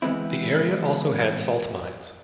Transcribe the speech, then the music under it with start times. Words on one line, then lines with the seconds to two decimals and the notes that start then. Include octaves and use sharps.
The area also had salt mines.
0.02 E3 G#3 B3 C4 E4